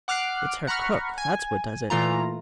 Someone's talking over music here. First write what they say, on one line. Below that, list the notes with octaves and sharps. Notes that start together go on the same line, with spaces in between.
It's her cook, that's what does it.
F#5 D6 F6 F#6 C7 D7
F#5 A#5 B5 C#6 F6
G#5
A#2 E3 A3 F4 A#5